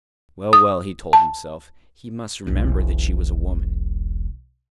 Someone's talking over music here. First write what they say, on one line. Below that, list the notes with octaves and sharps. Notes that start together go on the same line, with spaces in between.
Well, well, he told himself, he must remember that she was a woman.
D#6
A5
E1 B1